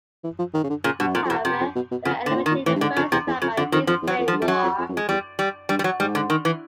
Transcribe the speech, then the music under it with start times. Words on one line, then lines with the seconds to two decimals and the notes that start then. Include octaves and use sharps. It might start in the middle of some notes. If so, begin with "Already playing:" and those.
However, they were eliminated in the first round by Brisbane Roar.
0.24 E3
0.39 F3
0.54 D#3
0.64 C#3
0.69 D3
0.84 A#2 C#3
1.00 G2 B2
1.08 F#2
1.14 F2 A#2
1.25 F2
1.30 E2 B2
1.45 F2 C3
1.60 F2
1.75 B2
1.91 B2
2.05 F2 C#3
2.26 D3
2.30 A2
2.36 A#2
2.46 D#3
2.51 A#2
2.66 A2 E3
2.75 G2
2.81 G#2 D3
2.96 F2 C#3
3.12 E2 C3
3.27 E2
3.42 F2 C#3
3.57 F2 D3
3.72 F2 D#3
3.87 F2 F3
4.02 E2
4.07 F#3
4.18 F2
4.28 F3
4.33 G2
4.42 F2 G3
4.48 F#2 F#3
4.63 F2
4.78 F2
4.89 F#2
4.93 F2
4.97 G#3
5.09 E2 G3
5.39 G3
5.69 G2 G3
5.79 G3
5.84 F#3
6.00 G#2 G3
6.15 D3
6.30 D#3
6.45 E3